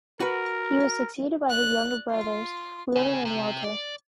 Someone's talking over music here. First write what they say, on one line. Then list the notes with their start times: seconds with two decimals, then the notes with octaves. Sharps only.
He was succeeded by his younger brothers William and Walter.
0.20 F#4 A#4 B4 F#5
1.46 D5 F#6
2.11 F4 C6
2.96 C#3
3.25 C3
3.64 D5